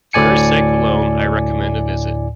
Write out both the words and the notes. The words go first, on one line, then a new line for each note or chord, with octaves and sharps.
For her sake alone I recommend a visit.
D2 A2 D5 G#5 C#7